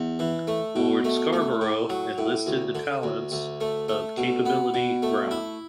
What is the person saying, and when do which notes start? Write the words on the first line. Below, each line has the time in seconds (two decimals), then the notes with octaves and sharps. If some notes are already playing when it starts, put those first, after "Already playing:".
Lord Scarborough enlisted the talents of Capability Brown.
Already playing: E2
0.19 E3
0.47 A3
0.76 B2
1.04 A3
1.33 A3
1.61 A2
1.90 F#3
2.18 A2
2.46 D2
2.75 D3
3.03 D2
3.32 D2
3.61 A3
3.89 A3
4.17 B2
4.46 B3
4.74 B2
5.03 A3
5.31 E4